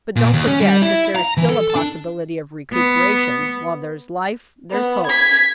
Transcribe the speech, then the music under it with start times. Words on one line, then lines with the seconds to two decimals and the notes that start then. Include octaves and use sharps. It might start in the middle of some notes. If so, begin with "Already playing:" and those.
"But don't forget that there is still a possibility of recuperation; while there's life there's hope."
0.16 A#2
0.34 D#2
0.47 C#4
0.61 G3
0.82 E4
1.16 A#5
1.37 E3
1.50 A4
1.76 D4
2.73 B3
4.71 B3
5.06 G#6 B6